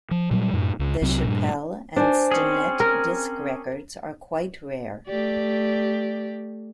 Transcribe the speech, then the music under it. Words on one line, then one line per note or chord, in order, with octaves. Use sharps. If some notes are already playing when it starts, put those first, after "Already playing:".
The Chappelle and Stinnette disc records are quite rare.
F3
A#2 F#3 G3
F#2 A2
C#2
C2 C3 F#3 C4
G2 A#2
D4 C5 G#5
C4 C#4 G#4
A#4
A3 G4 D5